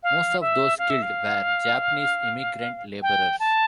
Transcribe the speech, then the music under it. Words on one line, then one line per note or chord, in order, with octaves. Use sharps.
Most of those killed were Japanese immigrant laborers.
F5
E5
F5
E5
F5
G5
A5